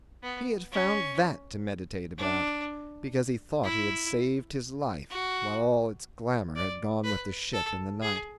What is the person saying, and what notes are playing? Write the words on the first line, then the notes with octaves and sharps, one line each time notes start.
He had found that to meditate about because he thought he had saved his life, while all its glamour had gone with the ship in the night.
B3
C#4
D4
E4
F#4
D5
B4
A4
G#4